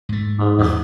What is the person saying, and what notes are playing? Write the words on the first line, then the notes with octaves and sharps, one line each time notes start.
Uh, huh
G#2 A3
E2 A3